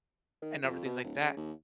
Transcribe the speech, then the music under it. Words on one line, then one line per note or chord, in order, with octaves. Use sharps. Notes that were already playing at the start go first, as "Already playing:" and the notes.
and other things like that?
D#3
F2
B2
D1
C#3
D#2